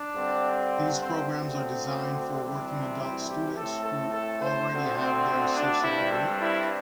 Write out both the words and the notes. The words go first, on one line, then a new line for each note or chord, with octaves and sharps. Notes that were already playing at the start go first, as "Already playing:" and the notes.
These programs are designed for working adult students who already have their associate degree.
Already playing: D4
G2 D3 C4
C4
D2 D3 C4
D4
D2 C3 E3 G3 C4
D4
E4
G4
A2 A3 C4 A4
A4
A4
C5
D2 D3 C4
C4
D4
G2 G3 C4 E4
A4
E4